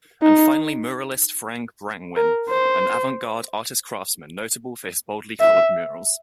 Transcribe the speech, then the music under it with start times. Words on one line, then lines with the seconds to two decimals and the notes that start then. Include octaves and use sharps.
And finally muralist Frank Brangwyn, an avante-garde artist-craftsman notable for his boldly-coloured murals.
0.22 D#4
2.16 A#4
2.49 C5
5.40 E5